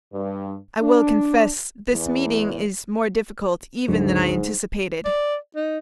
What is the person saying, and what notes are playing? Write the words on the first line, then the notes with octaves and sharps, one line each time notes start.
I will confess this meeting is more difficult even than I anticipated.
G2
D4
E2
G#1 D2 G#2 D3 F#3
D5
D#4